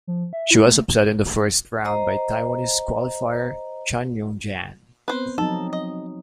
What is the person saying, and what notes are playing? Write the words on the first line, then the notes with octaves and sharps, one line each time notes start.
She was upset in the first round by Taiwanese qualifier Chan Yung-jan.
F3
E5
E4
A3
C5 D#5 A#5
B3 C4 B4 C5
F3 F#3 C4 D#4 A4
D#5